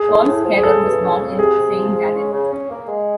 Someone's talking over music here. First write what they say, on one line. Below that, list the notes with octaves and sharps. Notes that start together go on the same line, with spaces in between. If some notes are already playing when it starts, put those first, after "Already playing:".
Paul Scherrer was born in St.Gallen.
Already playing: G#4
A2
A2
F3
G#4
C#3 A4
E3
C#3
F2
C3 G#4
C3
F3
G#3
C#4
C#3
C#4
A#3
G#3